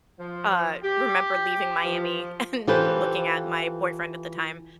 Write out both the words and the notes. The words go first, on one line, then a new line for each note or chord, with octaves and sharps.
uh, remember leaving Miami and looking at my boyfriend at the time,
F3
G4
F3
E3 F4 G4 A4 B4 C5